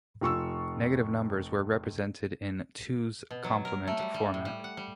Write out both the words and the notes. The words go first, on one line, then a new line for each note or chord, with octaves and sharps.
Negative numbers were represented in "two's complement" format.
F1 F4 C#6 E6
B2
F#3
A#4
A3
G3
G3
A2
G3
F#5
G3